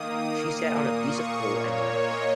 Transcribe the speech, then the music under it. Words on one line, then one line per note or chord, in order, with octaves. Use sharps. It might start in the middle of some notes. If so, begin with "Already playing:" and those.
She sat on a piece of coal and laughed.
Already playing: D#3 A#3 D#6
A#2 A#3
C#6
A#2 A#3 C#5
D#5